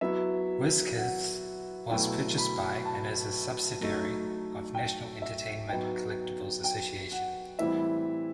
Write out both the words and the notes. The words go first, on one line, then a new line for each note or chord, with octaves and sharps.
WizKids was purchased by and is a subsidiary of National Entertainment Collectibles Association.
F#3 B3 E4 E5
F#5
B2 F#3 A3 E4 G5
B5
A5
F#3 A3 D#4
G5
E5
F#3 B3 D#4 G5
G5
F#5
A2 E3 G3 C4 E4 E5